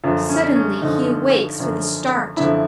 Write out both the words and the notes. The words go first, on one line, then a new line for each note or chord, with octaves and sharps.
Suddenly he awakes with a start.
F#2 D3 F3 F4
C#4
C#4
F#2 D3 F3 D#4
F#2 D3 F3
F#2 D3 F3 E4